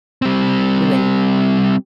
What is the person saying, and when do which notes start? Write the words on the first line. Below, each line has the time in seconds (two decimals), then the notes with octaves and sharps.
when they
0.22 G3 C4